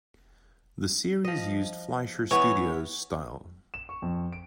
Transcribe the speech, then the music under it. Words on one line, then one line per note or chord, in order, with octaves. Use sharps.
The series used Fleischer Studios style.
F3 D#5
E3 B3 C#5
E7
C#6
F2
D7